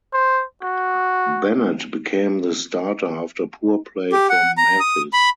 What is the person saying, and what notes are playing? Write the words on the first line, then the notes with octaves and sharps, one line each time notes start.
Bennett became the starter after poor play from Mathis.
C5
F#4
G4
F#5
A#5
D#6
B5